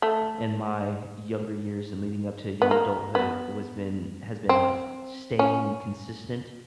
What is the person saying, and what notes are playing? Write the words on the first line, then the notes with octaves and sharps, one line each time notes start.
in my younger years and leading up to young adulthood, was been has been, like, staying consistent
A3
B3
A#3
B3
C4
C#4